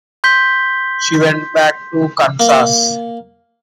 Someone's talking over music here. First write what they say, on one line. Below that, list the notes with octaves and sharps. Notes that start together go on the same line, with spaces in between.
She went back to Kansas.
C6 G6 B6 G7
A#3